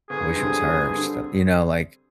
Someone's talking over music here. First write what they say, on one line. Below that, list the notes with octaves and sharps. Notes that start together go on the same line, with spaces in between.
I wish it was her still you know, like,
G1 G#4
F2 D3 G3 C4
G1
D3 G3 C4